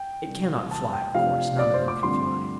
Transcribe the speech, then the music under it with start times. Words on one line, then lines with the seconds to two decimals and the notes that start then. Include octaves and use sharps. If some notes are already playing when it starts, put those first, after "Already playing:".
It cannot fly, of course: none of them can fly....
Already playing: G5
0.27 C3 G3 D4
0.71 A5
0.93 G5
1.15 C3 F3 A3 D4 F5
1.59 D5
1.74 C5
1.88 D6
2.03 G2 D3 F3 A3 C4 C6